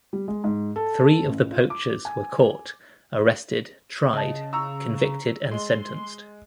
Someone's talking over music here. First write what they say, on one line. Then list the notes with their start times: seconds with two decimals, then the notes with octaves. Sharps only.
Three of the poachers were caught, arrested, tried, convicted and sentenced.
0.13 G3
0.28 G#3
0.44 G#2
0.76 A4
1.25 A1
1.51 F4
1.70 D6
2.05 G#5
4.13 C#3 D#5 A5
4.53 A#5 C#6 E6
5.51 G#3 C6